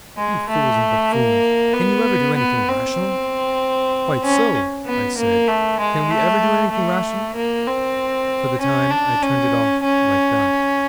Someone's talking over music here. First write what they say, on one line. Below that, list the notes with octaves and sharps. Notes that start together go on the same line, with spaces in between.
'You fools and buffoons, can you ever do anything rational?' 'Quite so,' I said, 'can we ever do anything rational?' For the time I turned it off like that.
G#3
A3
A#3
B3
B3
C4
C#4
B3
A#3
A3
G#3
A3
A3
A#3
C4
C#4
D4
C#4
C#4